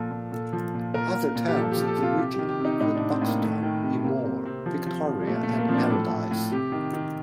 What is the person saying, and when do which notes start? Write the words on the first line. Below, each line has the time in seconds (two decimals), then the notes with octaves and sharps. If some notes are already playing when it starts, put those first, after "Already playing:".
Other towns in the region include Buxton, Enmore, Victoria and Paradise.
Already playing: A#2 F3 A4
0.11 A#2
0.32 A#2 A4
0.53 F3
0.74 A#2
0.94 A#2 A#4
1.14 A#2
1.35 A#2
1.48 G4
1.56 F3 A4
1.71 G4
1.77 F3
1.87 A4
1.97 C3
2.03 F4
2.18 C3 G4
2.34 D#3 G4
2.49 G4
2.59 C3
2.65 D#4
2.80 A2 D#4
2.95 D4
3.00 A2
3.11 C4
3.21 A2 A#3
3.42 D#3 A3
3.62 D#3
3.83 C3
4.04 C3 A#3
4.24 C3 C4
4.45 C3 C4
4.66 F3
4.86 F3
5.07 F3
5.21 G3
5.27 A#2 A3
5.43 A3
5.48 A#2
5.58 A#3
5.68 F3 C4
5.74 D4
5.90 A2 A4
6.10 A2
6.31 A2
6.51 C3 G4
6.72 D#3
6.93 D#3